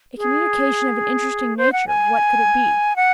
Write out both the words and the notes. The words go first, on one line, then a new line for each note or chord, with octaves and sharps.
A communication of an interesting nature, what could it be?
G#4
C5
F#5
G#5
F#5